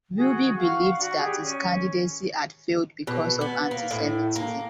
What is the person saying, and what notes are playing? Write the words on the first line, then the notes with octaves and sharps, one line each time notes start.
Ruby believed that his candidacy had failed because of Antisemitism.
F#4 G#4 G5 G#5
F5 F#5 C#6
D4 F#4 B5 C#6
G4 G#4 D5
C#4
B2
B3
A#3
A2
A#3